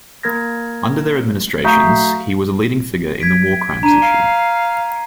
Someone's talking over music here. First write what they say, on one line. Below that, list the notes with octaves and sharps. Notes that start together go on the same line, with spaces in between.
Under their administrations, he was a leading figure in the war crimes issue.
A#3 A#4 G#6 A#6
A3 F#4 E5 F5 A#5 G6
G#6 B6 D7
D4 A#5 D#7
F5 C7